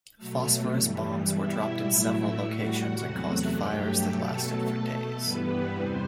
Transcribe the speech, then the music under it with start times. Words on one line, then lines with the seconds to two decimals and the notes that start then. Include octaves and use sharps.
Phosphorus bombs were dropped in several locations and caused fires that lasted for days.
0.17 B2 F#3 A3
0.73 G2 E3 G3
1.28 B2 G3 E4 E5
1.84 A2 F#3 A3
2.40 A2 G3 F#4 F#5
2.96 E2 C3 F#3 A3
3.51 G2 F#3 A3 G4 G5
4.07 B2 F#3 A3 A4 A5
4.63 B2 A3
5.18 G2 E3 G3 B3 B4
5.74 E2 C3 G3 C4 C5